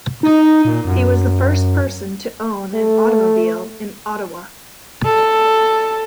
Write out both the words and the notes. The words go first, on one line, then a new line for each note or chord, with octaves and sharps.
He was the first person to own an automobile in Ottawa.
D#4
A#2
F#2
A3
A4